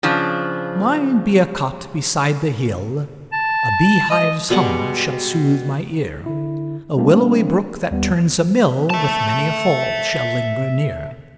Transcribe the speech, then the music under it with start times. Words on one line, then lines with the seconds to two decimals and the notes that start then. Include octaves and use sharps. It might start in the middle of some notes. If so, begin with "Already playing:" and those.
Mine be a cot beside the hill; A bee-hive's hum shall sooth my ear; A willowy brook that turns a mill, With many a fall shall linger near.
0.03 C#3 F3 D4
3.33 A5
4.10 D#5
4.50 B2 G3 G#3 F#5
6.26 D3 E4
6.97 G3 A3 A#3 C4 D4
7.91 D#2 G3 B3
8.90 E5 A5